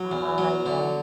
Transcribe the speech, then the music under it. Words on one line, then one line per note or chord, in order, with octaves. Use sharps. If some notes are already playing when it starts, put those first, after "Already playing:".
Ah, yeah.
Already playing: F#3
E2
F#3
D3